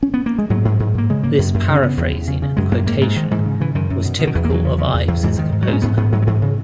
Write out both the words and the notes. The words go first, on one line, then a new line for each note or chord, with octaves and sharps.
This paraphrasing and quotation was typical of Ives as a composer.
C#4
B3
A#3
G#3
G#2 F#3
G#2
G#2
G#2 A#3
C#3 G#3
C#3 A#3
F#2
F#2
C#3
C#4
C#3 B3
E2
E2
C#3
C#3
F#2 G#3
F#2 A#3
G#2 A#3
G#2
G#2 D#3
G#2 E3
C#3
C#3 E3
F#2 D#3
F#2
B2
B2
D#3
E2 E3
A#3
E2 F#3
C#3
C#3
E2
E2
G#2 E3
G#2 D#3
G#2
F#3
G#2
C#4
G#2 B3
G#2 B3
G#2 F#3
F#3
G#2 E3
C#3